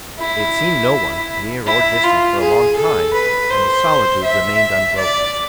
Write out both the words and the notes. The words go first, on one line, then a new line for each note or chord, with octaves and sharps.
They had seen no one, near or distant, for a long time; and the solitude remained unbroken.
E4
E4
F4
G#4
A4
B4
C5
E5
D5